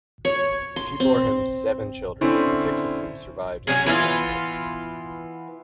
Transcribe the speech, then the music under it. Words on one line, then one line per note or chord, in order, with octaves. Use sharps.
She bore him seven children, six of whom survived into adulthood.
C#5
C6
C4
D3 C4 C#4 E4
F#3 C#4 G#4
E3 B3 F4